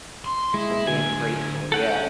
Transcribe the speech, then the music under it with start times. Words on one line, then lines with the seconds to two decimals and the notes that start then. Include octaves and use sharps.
And being grateful. Yeah.
0.25 C6
0.54 G#3 E4
0.87 A2 D3 G#5
1.72 C#4 A4 C#5 F#5 G5